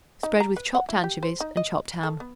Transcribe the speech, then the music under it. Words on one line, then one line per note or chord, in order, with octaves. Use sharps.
Spread with chopped anchovies and chopped ham.
D#4
A#5
B4
F#5
E4
G4
C5
D#4
D#5
A4
B3